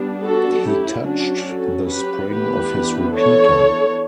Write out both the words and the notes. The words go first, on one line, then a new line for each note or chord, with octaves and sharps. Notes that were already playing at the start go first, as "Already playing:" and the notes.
He touched the spring of his repeater.
Already playing: G3 B3 D4
F#4 A4
F#3 C#4 E4 G4
D4 F#4
F#4 A4
G4 B4
E3 B3 D4 G4 B4
A4 C#5